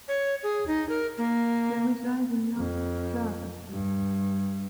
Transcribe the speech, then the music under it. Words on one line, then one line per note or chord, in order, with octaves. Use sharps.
They reside in New Jersey.
C#5
G#4
D#4
A#4
A#3
F2
G2